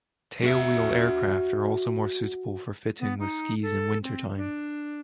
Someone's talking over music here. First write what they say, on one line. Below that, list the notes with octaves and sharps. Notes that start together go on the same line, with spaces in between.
Tailwheel aircraft are also more suitable for fitting with skis in wintertime.
F#4 E5
B3
D#4
A4
C4
D4